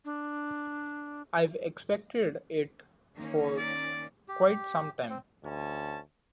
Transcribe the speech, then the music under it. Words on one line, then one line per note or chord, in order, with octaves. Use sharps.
I've expected it for quite some time.
D4
D#3 A#3 C#4
D5
G4
C4
D2 C#4 A5